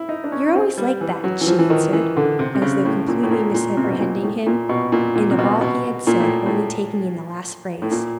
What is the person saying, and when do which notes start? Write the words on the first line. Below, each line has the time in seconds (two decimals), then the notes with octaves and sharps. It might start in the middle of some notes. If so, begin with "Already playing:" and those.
"You're always like that," she answered, as though completely misapprehending him, and of all he had said only taking in the last phrase.
Already playing: E4
0.09 D#4
0.24 D4
0.32 C#4
0.55 C4
0.78 G3
1.01 E3
1.24 F#3
1.41 E3
1.47 F3
1.59 E3
1.70 D#3
1.93 E3
2.17 D3
2.39 C3
2.55 C3
2.62 C#3
2.85 A2
3.08 A#2
3.23 A2
3.31 A#2
3.54 A#2
3.77 C3
3.84 B2
3.91 C3
4.00 A#2
4.23 A2
4.46 A#2
4.69 B2
4.92 A#2
5.15 A#2
5.31 C3
5.38 B2
5.61 B2
6.07 A#2
6.20 A2
6.46 A2
7.82 A2
7.91 A#2